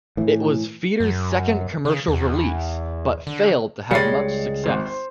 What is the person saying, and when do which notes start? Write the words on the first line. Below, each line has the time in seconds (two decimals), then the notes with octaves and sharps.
It was Feeder's second commercial release, but failed to have much success.
0.17 A2 E3
1.00 F#2
1.85 C#3
2.08 E2
3.27 D3
3.91 C#2 G3 G#3 A6 C7 C#7
4.64 G#1 C5
4.85 C5